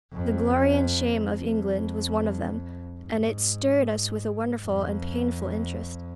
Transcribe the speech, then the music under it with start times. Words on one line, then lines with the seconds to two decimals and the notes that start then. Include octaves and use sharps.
"The Glory and Shame of England" was one of them, and it stirred us with a wonderful and painful interest.
0.13 F2
1.36 F2
3.00 G#2
4.64 F2